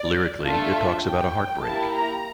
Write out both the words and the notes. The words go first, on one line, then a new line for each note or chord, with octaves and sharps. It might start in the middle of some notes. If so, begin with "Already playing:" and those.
Lyrically, it talks about a heartbreak.
Already playing: D5
A3 D4 F4 A4 E5
G5
A#3 E4 G4 A5
A#5